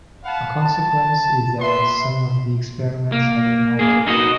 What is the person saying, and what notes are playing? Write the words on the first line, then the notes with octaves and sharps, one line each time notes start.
A consequence is that some of the experiments have been altered.
F5 F#5 A5 B5
A5
B3 B4 E5 C6
A#3
A#3 G#4
D#4 E4 F#4 D#5